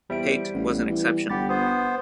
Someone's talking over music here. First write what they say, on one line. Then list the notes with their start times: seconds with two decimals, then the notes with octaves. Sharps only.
Paete was an exception.
0.10 E2 G3 C5 E5 D7
0.54 A1 B3
0.89 E3
1.30 G1 G4 F#5 B5 A6
1.49 B3 C5 D#6